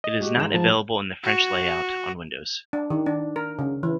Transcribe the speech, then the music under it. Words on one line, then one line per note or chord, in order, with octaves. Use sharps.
It is not available in the French layout on Windows.
D#5
G#3 F#4 G4
G#2 E7
F3 A5
F#4
D4
D#3
D4
A#4
C#3
E3